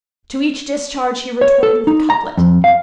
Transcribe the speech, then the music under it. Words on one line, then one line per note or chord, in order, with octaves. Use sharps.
To each discharge he retorted with a couplet.
C#5
A4
D#4
A#5
F2
F5